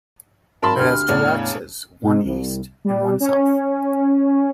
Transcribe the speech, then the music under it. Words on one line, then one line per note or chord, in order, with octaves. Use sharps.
It has two axes, one east and one south.
G#1 F#3 A#4 A5 B5 C6
D2 G4 F6
E2 A2 C#3 E3 C#4 D4
G#2
C2
G3
C#4